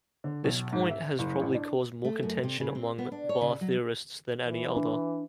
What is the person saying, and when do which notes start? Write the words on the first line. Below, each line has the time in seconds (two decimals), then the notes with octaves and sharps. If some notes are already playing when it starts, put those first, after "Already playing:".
This point has probably caused more contention among VaR theorists than any other.
0.24 D3
0.45 B1
0.72 G#2
0.90 E5
1.19 F#1
1.41 A1
1.54 D4
2.05 A3
2.23 F#2
2.43 C3
2.60 C#3
2.75 C4
2.98 B3
3.12 D4
3.29 C#5
3.41 C#3
3.61 F#3
4.47 E3
4.76 D4